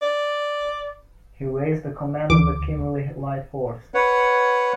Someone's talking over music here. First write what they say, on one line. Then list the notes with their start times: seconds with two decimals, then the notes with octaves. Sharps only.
He raised and commanded the Kimberley Light Horse.
0.02 D5
2.30 D2 E3 D6
3.94 B4 C#5 F#5